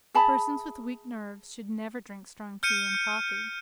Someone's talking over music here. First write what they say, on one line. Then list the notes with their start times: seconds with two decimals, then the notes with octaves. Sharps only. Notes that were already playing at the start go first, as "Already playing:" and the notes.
Persons with weak nerves should never drink strong tea and coffee.
0.14 G#4 E5 A5 B5
2.63 F6 G6 C#7 D#7